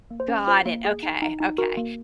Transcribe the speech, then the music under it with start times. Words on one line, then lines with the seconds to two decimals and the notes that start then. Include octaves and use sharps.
Got it. Okay, okay.
0.11 A#3
0.20 C5
0.28 C#4
0.47 F4 C5
0.65 A#3
0.85 G#4
1.03 D#4
1.22 D#4
1.40 D#4
1.58 F#4 A#4
1.77 A#3